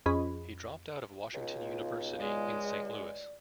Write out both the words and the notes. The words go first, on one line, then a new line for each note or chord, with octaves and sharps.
He dropped out of Washington University in Saint Louis.
F2 C#4 G#4 D#5 B5
C#2 B2 D#4 F4
G#3 D5